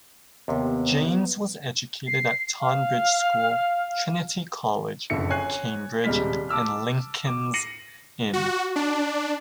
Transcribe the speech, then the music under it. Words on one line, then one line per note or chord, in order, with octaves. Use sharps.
James was educated at Tonbridge School, Trinity College, Cambridge and Lincoln's Inn.
D#2 C3 B3
C7
F5
F#1 F2 D3 E5 C#7
C#5 G#5 F#6 C7
D#1 C3 G3 G#3 F6 B6
A5 D6 E6 F6
D6
A#6 C7 C#7 D#7 F#7
F#4
D4